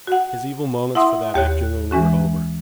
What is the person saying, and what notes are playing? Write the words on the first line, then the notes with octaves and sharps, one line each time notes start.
His evil moments for that afternoon were over.
F#4 F#5
E4 E5 F#5 C6 D#6
D#2 G4 C#5 F#6
E3 G#3 C#4 F#4